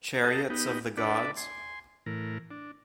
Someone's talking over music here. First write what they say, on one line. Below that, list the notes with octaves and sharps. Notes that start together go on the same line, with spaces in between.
Chariots of the Gods?
G4 A4 D#5 A5 A#5
B3 D#4 G4
D4 A4 B4 D5
G#5 C6
A2 E3 A#4
D4